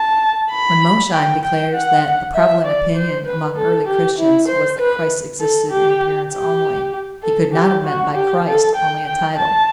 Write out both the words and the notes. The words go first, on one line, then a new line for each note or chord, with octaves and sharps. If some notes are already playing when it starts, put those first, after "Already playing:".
When Mosheim declares that "The prevalent opinion among early Christians was that Christ existed in appearance only," he could not have meant by 'Christ' only a title.
Already playing: A5
B5
G5
G5
F#5
E5
D5
C5
B4
A4
G4
E4
C5
B4
A4
G4
G4
A4
G4
F#4
G4
A4
G5
G5
A5